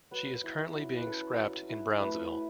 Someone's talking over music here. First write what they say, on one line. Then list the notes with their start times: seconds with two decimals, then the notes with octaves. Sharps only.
She is currently being scrapped in Brownsville.
0.11 F#3 B4
0.44 E4
0.74 F#3
0.97 B4
1.06 C#4 A4
1.37 F#3
1.69 E4
2.00 A3 B4
2.32 E4